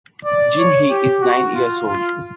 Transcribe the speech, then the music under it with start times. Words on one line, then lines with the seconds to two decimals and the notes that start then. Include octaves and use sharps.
Jinhee is nine years old.
0.25 D5
0.57 C#5
0.90 G4
1.22 F#4
1.54 F4
1.87 F4